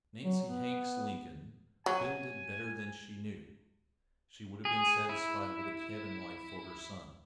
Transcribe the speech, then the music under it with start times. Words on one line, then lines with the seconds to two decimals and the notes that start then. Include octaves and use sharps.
Nancy Hanks Lincoln "builded better than she knew." She would have been satisfied with a cabin life for her son.
0.24 F#3
0.46 B3
1.86 F#3 G#5
4.65 G#4
5.09 E4